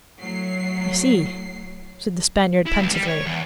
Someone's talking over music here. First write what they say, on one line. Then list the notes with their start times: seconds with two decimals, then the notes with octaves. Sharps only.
"I see," said the Spaniard pensively.
0.19 A2 F#3 C7
2.66 E4
2.80 C#2
2.93 G3
3.08 C#5
3.26 E2